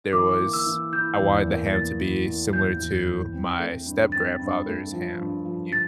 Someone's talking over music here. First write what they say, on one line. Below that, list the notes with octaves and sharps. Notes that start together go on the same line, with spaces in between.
there was I wanted the ham to be similar to my step-grandfather's ham, he
E3 D6
A#3
E6
E3
E4 G6
E2
A#3
A#3 A6
E4
A#3
E2 G6
E2
E4
C4
A3
G2
C4 A6
G2
A3
F3
G2
F3
A6